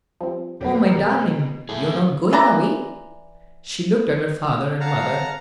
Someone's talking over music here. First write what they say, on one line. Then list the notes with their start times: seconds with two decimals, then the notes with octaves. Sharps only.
"Oh, my darling, you're not going away!" She looked at her father and mother.
0.21 F3 G3 C4
0.61 F2 B2 F#3 A3 G4
0.80 G3 G4 A#4
1.69 A2 E4 G#4
2.33 E3 D5 A#5
4.80 F5 F#5 A5 A#5 F6